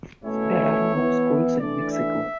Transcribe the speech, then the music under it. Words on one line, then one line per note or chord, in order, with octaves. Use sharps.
There are no schools in Mexico.
B2 A3 C#4 E4 C#5
E3 B3 E4
E3 A3 D4 D5
E5